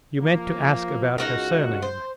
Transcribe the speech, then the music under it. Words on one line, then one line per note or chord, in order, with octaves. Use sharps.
You meant to ask about her surname.
F3 A#3
C#2 D#4 F#4 A#4 F#5
C5